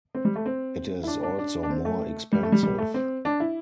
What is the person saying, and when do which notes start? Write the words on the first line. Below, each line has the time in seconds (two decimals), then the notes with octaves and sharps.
It is also more expensive.
0.15 C4
0.25 G3
0.36 A3
0.46 C4
1.03 E4
1.07 D4
1.23 D4
1.38 D4
1.63 D4
1.70 C4
1.85 A3
2.33 G3
2.43 A3
2.52 G3
2.63 G3
2.78 A3
2.94 C4
3.25 D4
3.40 E4